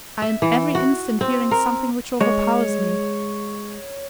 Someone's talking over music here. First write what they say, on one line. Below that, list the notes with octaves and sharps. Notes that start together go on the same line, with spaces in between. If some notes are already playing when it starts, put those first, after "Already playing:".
I am every instant hearing something which overpowers me.
E5
E3
F#4
C4
A#4
G#3 C#5